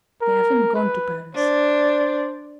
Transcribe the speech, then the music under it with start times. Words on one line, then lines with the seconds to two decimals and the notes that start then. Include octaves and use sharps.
They haven't gone to Paris.
0.22 A#4
0.75 B4
1.35 D4 C5